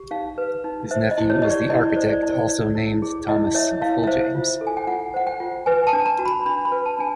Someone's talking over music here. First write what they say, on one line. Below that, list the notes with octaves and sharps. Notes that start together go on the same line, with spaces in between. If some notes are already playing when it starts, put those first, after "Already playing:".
His nephew was the architect also named Thomas Fulljames.
Already playing: G4
D#4 F5
B4
D#4
C5 E5
D#5
E4
C#5
G4 D#5
D5
E4 D#5
D5
C5
D5
E4
D5
C#5
E4
G#4
E4 D#5
C#5 E5
E4 F5
E5
C5 F5
F4
A4
G#5
G5
F4 F#5
C5 F#5
G5
F4
B4 G#5
A5
D4
A#5
F#4
B5
D4 B5
B5
B4
A5
D4 G#5